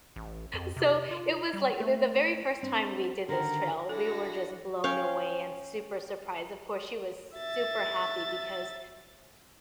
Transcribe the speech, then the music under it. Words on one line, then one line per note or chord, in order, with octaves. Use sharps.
so it was, like the the very first time we did this trail, we were just blown away and super surprised, of course, she was super happy because
A1
F2
C3
F4
G3
A3
C4 D4
D3 D#3 A#4
D4 E4 F#4 A4 A#6
C#4 C#5 F5 G5
E5 A6